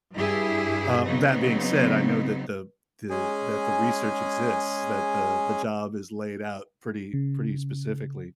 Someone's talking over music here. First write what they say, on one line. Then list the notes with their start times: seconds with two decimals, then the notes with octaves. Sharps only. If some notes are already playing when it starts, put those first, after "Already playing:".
Uh, that being said, I know that the the that the research exists, that the the job is laid out pretty pretty specifically.
0.14 G2 E4 G4 G#4
1.04 C#3 F#3 B3 C4 D#4
3.10 G#3 C#4 G#4 G#5
7.14 C#3